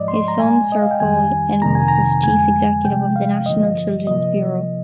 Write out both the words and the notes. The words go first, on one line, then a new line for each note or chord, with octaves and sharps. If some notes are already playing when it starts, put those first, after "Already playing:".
His son, Sir Paul Ennals, is chief executive of the National Children's Bureau.
Already playing: G#2 F3 G#3 D5 D#5
C6
A#5
A#2 G#3 G#5
D#5
F5
G5
F2 D#3 G3 G#5
F2 C3 D#3 A#3 A#5
G#5
A#5
F2 D3 G#3 G#5
C3 F3 G#3 G5
F5
G2 D3 F3 A#3 D#5
C3 F3 A#3 D#5